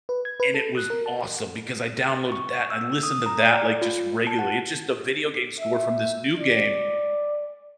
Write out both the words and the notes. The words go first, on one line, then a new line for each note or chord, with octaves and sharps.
and it was awesome because I downloaded that and I listened to that, like, just regularly. It's just a video game score from this new game,
B4
G#6
B4
A4
F#6
A#4
A5
C#6
E6
D#6
A#5
D5
F4
A5
F#5
E5
D5